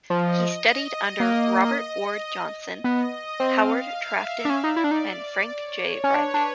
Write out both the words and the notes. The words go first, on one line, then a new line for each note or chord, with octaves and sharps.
He studied under Robert Ward Johnson, Howard Trafton, and Frank J. Reilly.
F3 D#5
D#5
A#3
B3 D#5
C4 F5
E5
D4
C#4 D5
D#4
E4
D4
D#4
C#5
C#4
D4 B4
D4